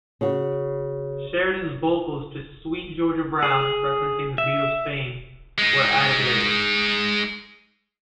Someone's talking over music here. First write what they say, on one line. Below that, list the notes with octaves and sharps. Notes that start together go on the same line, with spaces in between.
Sheridan's vocals to "Sweet Georgia Brown", referencing the Beatles' fame, were added later.
C#3 F#4
G#4
E5
G#3 D#4